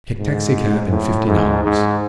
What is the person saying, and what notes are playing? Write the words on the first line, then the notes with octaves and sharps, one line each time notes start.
Take taxicab and fifty dollars.
G#2
A2
G#2
G#2